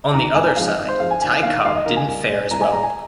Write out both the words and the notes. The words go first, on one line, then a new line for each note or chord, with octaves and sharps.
On the other side, Ty Cobb didn't fare as well.
D#2 D#3 A#5
G#1 G#5
G#5
G#2 F3 G#3 C4 F5
D#5
G#1 D#5
C5
G#2 F3 G#3 C4 F5
G#5
D#2 G#5
D#3 A#3 F5
D#2 F5
D#5
D#3 A#3 A#4
G#5
C2
A#2 G#3
C2 A#5
G#5
A#2 G#3 A#5
G#5